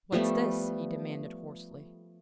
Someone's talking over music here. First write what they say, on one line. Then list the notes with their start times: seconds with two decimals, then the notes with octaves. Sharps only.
"What's this?" he demanded hoarsely.
0.12 F3 G3 A3 B3